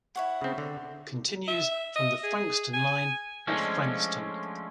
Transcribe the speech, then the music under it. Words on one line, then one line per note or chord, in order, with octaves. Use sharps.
Continues from the Frankston line at Frankston.
E4 C#5 F#5
C#3 C4
D3
E5
D#5
G#4
G#5
F3 G#3 A3 C#4 D4